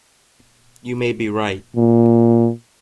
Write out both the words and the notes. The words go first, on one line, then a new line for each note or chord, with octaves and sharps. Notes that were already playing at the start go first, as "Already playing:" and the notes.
You may be right.
A#2